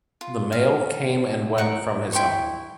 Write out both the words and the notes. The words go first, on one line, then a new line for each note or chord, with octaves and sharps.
The mail came and went from his home.
F4
F5
A#4 F#5
E4 G5 C6 C#6